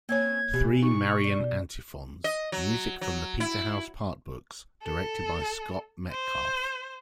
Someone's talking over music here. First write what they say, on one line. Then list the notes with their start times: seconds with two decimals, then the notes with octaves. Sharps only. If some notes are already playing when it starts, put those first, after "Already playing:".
Three Marian Antiphons : Music from the Peterhouse Partbooks, directed by Scott Metcalfe.
0.09 A#3 C4 C#4 B4 C#5 G#6
0.54 B2 E3 G4
0.82 D#4 C#6
1.24 G3
1.40 B2
2.24 D#5
2.52 F#3
3.01 F#3
3.40 E4
4.83 A4
6.11 C5